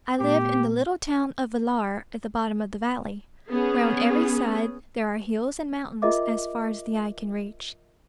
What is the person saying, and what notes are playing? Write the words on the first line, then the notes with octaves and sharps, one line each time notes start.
I live in the little town of Villar at the bottom of the valley, where on every side there are hills and mountains as far as the eye can reach.
A#2 A3 B3 G4
B3 C#4 G#4
F4 G#4 A#4 D#5 E5 D6